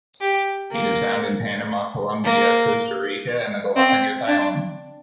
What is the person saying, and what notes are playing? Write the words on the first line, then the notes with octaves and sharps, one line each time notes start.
It is found in Panama, Colombia, Costa Rica, and the Galapagos Islands.
G4
A#3
A#3
C4
D4